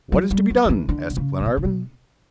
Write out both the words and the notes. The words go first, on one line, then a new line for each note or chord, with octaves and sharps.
"What is to be done?" asked Glenarvan.
F#3
G3
F#3
F#3
E3
D3
B2
C#3
A2
B2
C#3
B2